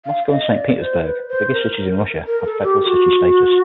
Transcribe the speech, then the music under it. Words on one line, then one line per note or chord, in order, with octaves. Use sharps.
Moscow and Saint Petersburg, the biggest cities in Russia, have Federal city status.
F5
D#5
D5
C5
B4
C5
A#4
A#4
A4
G4
G4
F#4